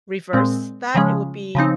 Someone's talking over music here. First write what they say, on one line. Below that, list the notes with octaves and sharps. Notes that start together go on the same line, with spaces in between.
reverse that, it would be
A#2 G#3 C4
C#3 F3 G#3 C#4
C#3 F3 C4 D#4